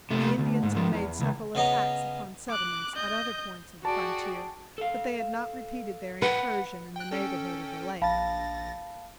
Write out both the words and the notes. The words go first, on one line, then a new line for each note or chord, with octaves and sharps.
The Indians had made several attacks upon settlements at other points of the frontier, but they had not repeated their incursion in the neighborhood of the lake.
C3 A3
D2
G#2
G#2 F3
E2
C#2
C#3 B3 D#5 A#5
D6 F#6
D#5 G6
F#4 G#4 D5 G5 A5
A4 F5
B4 F#5
G5 F#6
C#4 A4 G5
A#1 F5 A5 B5 A6 A#6